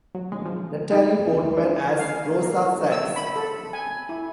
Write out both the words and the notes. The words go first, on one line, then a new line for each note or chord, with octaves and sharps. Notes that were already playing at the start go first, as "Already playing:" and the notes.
Natalie Portman as Rosa Saks.
F#3
G#3
F3
D#4
F2
D2
D4
F5
A#4
E6
B5
A4
G#5
E4